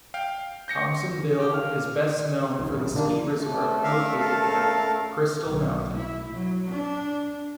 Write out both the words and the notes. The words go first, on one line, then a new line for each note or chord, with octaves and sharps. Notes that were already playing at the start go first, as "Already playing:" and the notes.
Thompsonville is best known for the ski resort located there, Crystal Mountain.
F5 G5
G6 A#6 C#7
G4
F5
F1 A#1 D#2
A#1 F#2
B2 D3 D#3 A#3 D4
A#1 C#3 A3
A#4 E5 F5
A4 A#4 F5
B1
E4
F#3
D4